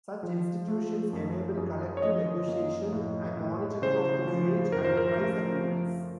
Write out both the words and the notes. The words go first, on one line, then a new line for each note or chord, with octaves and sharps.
Such institutions enable collective negotiation and monitoring of the wage and price agreements.
F3
A3
F#2
F#2
C#5
F3 D#5
A#3
A2
A2
C#3 C5
F3
F#2 A#4
C5
A#4
A3
F3